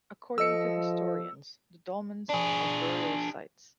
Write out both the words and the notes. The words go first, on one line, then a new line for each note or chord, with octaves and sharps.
According to historians, the dolmens are burial sites.
F3 A4 D#5 E6 C#7
D4 G#4